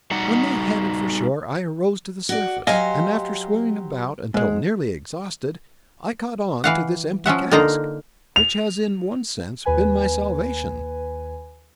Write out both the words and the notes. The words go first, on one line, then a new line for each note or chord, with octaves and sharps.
When they headed for shore I arose to the surface, and after swimming about until nearly exhausted, I caught onto this empty cask, which has in one sense been my salvation.
G3 D#4 F#4 F#5
F#4 D5
F#3 G4 C5 D#5 F5 G#5
G#2 G#3
E3 F5 F#5
F3 C#4 E5 F#5
D3 A#3 D#4 F4 A#5
F7
D#2 B4 G#5